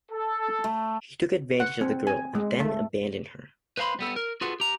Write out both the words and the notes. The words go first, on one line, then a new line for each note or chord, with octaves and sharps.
He took advantage of the girl and then abandoned her!
A4
A3
F#5
C4
G#5
G#3
A3
B4 C5 F5 G#5 B5 C6
G3 B3 A4
A#4
F4 F#4 G#4 A4 B4 F#5
G4 A#5